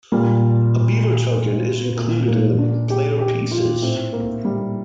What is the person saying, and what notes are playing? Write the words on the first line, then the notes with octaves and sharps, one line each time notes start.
A beaver token is included in the player pieces.
A#2 G3
A#2
A#3
D4
G4
G4
F4
A2 C4
A#3
G3